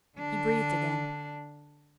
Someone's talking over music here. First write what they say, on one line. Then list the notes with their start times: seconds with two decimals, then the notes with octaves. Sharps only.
He breathed again.
0.18 D3 D4